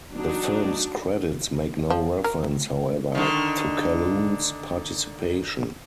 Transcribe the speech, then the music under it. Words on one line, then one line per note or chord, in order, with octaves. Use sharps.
The film's credits make no reference, however, to Calhoun's participation.
F#3 D4 D#4
F3
A#4
D3 D#3